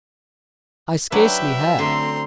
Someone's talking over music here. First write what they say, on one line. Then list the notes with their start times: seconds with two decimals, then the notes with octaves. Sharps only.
"I scarcely have."
1.12 F#3 D4 B4 E5 G5 B5
1.79 D3 A3 C4 A#5 C6